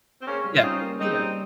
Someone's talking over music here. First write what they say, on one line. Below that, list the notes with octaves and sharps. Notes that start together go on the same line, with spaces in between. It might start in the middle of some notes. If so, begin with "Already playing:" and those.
Yeah, yeah.
C4
A#3 C#4 G#4
G3
F4
C4 C#4 D#4
A#3
C4 D#4 G#4
G3